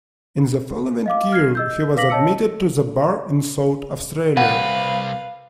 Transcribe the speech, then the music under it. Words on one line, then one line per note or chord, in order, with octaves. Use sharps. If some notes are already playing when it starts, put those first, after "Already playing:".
In the following year he was admitted to the Bar in South Australia.
D#5 F5 D6
F6 G#6 C7
D#5 E6 G6
B4 F5 D6 A#6 B6 F#7
C#5 D#5 A5 E6 C#7
C2 A#3 B4 F5 F#5 G#5